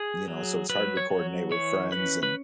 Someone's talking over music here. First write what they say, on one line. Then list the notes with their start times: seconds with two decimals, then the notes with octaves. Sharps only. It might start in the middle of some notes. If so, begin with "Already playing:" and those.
you know, so it's hard to coordinate with friends and,
Already playing: G#4
0.28 F#3
0.69 F#3 B4
0.97 C#5
1.10 F#3
1.51 E3 C#5
1.92 C#4 B4
2.23 B4